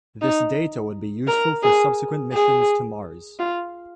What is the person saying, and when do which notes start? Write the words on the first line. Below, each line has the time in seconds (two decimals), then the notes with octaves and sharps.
This data would be useful for subsequent missions to Mars.
0.22 D#4
1.27 A#4
1.63 G#4
2.33 G#4
3.39 F4